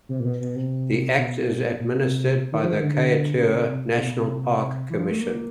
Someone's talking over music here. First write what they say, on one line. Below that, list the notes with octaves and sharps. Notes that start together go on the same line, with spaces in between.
The Act is administered by the Kaieteur National Park Commission.
C3
A#2
B2
B2
C3
B2
A#2
C3
D#3
F3
D#3
D3
D3
C#3
C3
C3
B2
C3
E3
F3
A3
A#3